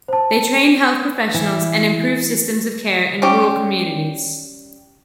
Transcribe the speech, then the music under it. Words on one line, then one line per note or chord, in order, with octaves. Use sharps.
They train health professionals and improve systems of care in rural communities.
C5 A5
E3
G3 C#4 G4